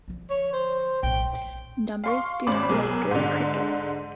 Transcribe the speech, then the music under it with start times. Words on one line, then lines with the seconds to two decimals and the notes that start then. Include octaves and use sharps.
Numbers do not make good cricket.
0.08 D3 F3
0.30 C#5
0.53 C5
1.03 A#1 A2 G5
2.04 F5 C6 C#6
2.47 G#1 C#4 B5 D6
2.69 B1 G#4 A#4
3.11 G#2 D3